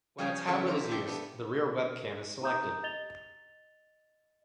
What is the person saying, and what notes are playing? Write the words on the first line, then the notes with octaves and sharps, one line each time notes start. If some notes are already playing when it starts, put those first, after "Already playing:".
When a tablet is used the rear webcam is selected.
F3 G3 C#4 G#4 F#5 G#5
C#3 E3 F3 B3 C#4 A4
B4 C5 D5 A#5
D4 A4 D5 G5
B3 D4
D#4 G4 A#5 D#6 G6
D#5 A6 F7 G7